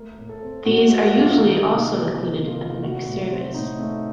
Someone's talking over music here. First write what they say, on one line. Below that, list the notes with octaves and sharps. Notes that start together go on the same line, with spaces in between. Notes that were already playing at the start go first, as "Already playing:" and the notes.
These are usually also included at the next Service.
Already playing: A3 A#4
A2
A4
C4
A2 F#4
A3 F#4
A2 F4
D#3 D#4
C3
D#4
A#3
C3
D#3
F4
C3
A3 F#4
A2
C4
A2 D#4
A3